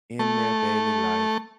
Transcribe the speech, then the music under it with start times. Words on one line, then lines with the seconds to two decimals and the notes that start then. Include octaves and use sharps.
in their daily life.
0.19 A3